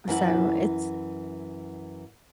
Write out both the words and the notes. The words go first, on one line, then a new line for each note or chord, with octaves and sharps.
So it's
F#2 E3 E4 F#5